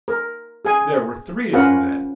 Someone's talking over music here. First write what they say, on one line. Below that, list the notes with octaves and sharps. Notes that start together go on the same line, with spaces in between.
"There were three of you, then."
A#4
G#4 G#5
C#4 F4 A#4 B4 F#5